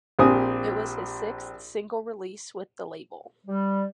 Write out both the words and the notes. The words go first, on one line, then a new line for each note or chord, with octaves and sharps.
It was his sixth single release with the label.
A#1 C4 G4 G#5 D#6
G3